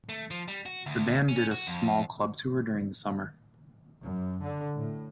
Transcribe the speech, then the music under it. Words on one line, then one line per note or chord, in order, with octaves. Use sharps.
The band did a small club tour during the summer.
A3
F3
G3
F#4
D2
C#4
F#4
F2
F#2
D3
A2